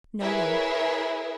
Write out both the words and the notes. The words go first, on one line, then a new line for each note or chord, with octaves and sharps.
"No one."
E4 G#4 A#4 B4 C#5 E5